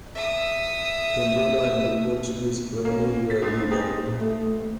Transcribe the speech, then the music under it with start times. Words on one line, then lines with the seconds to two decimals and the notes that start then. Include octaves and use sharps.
Tondela in the Portuguese Primeira Liga.
0.15 E5 D#6
2.85 A#3 C#4
3.30 A6 B6
3.42 C#2 C5
3.71 C4 D#4 G4 G#4
4.06 A#2
4.20 A3
4.45 C4
4.57 D#2